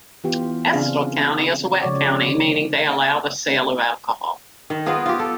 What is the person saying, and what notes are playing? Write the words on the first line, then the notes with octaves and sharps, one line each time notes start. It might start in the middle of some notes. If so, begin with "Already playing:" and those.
Estill County is a wet county meaning they allow the sale of alcohol.
E3 B3 F4 G4
C#3 C4 D4 F4 G#4 F5
C#3 F3 G#3 F#4 C#5 D5
D3
D#3
B3 F4 G#4 A#4
F4 G4
A4